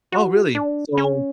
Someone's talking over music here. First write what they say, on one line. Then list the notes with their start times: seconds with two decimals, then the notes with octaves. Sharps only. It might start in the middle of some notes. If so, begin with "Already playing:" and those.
Oh, really? So
0.12 F#4
0.55 D4
0.98 C#4